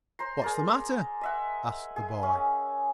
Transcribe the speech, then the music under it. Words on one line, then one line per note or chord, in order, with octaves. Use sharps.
"What's the matter?" asked the boy.
C5 A#5 C6
G#4 A#4 D5
D#5 E5 F#5
G#4
C#4